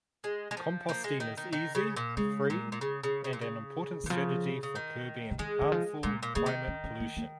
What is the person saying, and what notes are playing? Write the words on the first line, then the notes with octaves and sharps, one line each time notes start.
Composting is easy, free, and an important strategy for curbing harmful climate pollution.
G#3
G#3
F3
F3 A#3
G#3
D#3
D#3
D#3
C#3
A#2
C#3 G#3
A#2
A#2
C#3
C#3
C#3
A#2
C#3
A#2 D#3
C#3 F3
C#3
D#3
C#3
D#3 G#3
D#3
F3
A#2 G#3
A#2
C#3 A#3
D#3
C#4
C#4
A#3
A#3